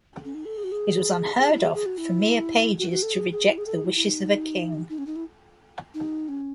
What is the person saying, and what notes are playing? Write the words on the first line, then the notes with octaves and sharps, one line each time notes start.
It was unheard of for mere pages to reject the wishes of a king.
C#4
D#4
A4
G#4
F#4
G#4
G#4
E4
G#4
G#4
F#4
E4
F#4
F#4
A4
G#4
G#4
E4
G#4
A4
G#4
E4
E4
D#4
D#4
C#4
D#4
E4
D#4
C#4